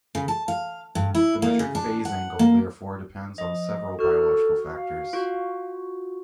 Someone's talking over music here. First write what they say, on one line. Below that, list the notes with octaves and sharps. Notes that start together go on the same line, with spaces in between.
The measured phase angle therefore depends on several biological factors.
C#3
A5
F5
G2
E4
A#3
C#3
D4
F#5
A#3
F3 D#5
F#4 A4 F6
F5
F4 F#4